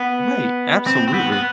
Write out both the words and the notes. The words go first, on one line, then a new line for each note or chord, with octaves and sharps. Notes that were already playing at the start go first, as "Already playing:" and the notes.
Right, absolutely.
Already playing: B3
C4
C4
B3
B3